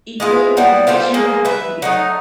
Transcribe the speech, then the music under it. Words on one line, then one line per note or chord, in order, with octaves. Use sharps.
equate homosexuality?
G#3 E4 F4
F#3 G3 B3 E4
F4 G4 A4 C5
G#3 A#3
B4 E5
F#3 A3 D#4